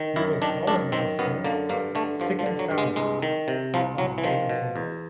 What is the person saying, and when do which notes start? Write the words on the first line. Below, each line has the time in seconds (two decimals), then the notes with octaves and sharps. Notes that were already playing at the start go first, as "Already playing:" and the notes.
He was known as the "second founder" of Gate of Heaven.
Already playing: D#3
0.16 F#2 E4
0.42 D#3 D4
0.67 F#2 D4
0.92 D#3 C4
1.19 F#2 B3
1.44 D3 A#3
1.69 G2 A#3
1.95 D3 A3
2.20 G2 F3
2.39 F3
2.46 D3
2.59 F#3
2.71 G2
2.78 G#3
2.96 C2 G#3
3.22 D#3
3.48 C3
3.74 C2 F3
3.98 C2 F#3
4.18 E3
4.24 D#3 F3
4.49 B2
4.76 E2